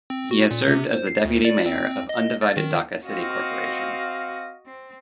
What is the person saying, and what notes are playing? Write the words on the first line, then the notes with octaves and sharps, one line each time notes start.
He has served as the Deputy Mayor of Undivided Dhaka City Corporation.
C4
F#4
A#2
C3
C5
C7
D2
D5
C4
D#5
A6
D#3
C4 F#4 D#5 F5
C4